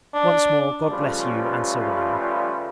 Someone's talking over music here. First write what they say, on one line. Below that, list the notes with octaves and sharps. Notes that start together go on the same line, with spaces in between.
Once more, God bless you and Sir William.
D4
C#3 F3 G3 A3 F4 B4